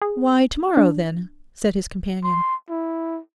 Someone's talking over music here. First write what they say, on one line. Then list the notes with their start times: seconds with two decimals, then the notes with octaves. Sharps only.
'Why, to-morrow, then,' said his companion.
0.02 G#4
0.77 D4
2.24 C6
2.70 E4